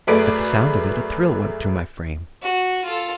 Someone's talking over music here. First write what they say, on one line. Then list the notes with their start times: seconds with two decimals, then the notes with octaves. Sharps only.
At the sound of it, a thrill went through my frame.
0.07 F#2 A3 G#4 B4 D5 D7
2.42 F#4
2.85 F4 A4